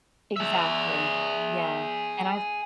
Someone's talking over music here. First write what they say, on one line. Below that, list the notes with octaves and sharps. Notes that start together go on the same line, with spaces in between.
Exactly, yeah. And I've
G#4 E5